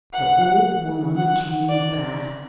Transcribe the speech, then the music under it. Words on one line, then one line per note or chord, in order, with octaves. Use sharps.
The old woman came back.
F#5
F#5
D5